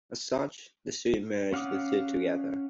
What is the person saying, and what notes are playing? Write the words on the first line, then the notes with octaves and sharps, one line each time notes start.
As such, the Sui merged the two together.
C#4 F5 F#5 D6 D#6